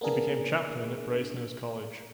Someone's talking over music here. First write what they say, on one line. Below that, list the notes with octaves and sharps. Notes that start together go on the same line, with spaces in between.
He became chaplain at Brasenose College.
A#3 B3 D4 G#4 A#4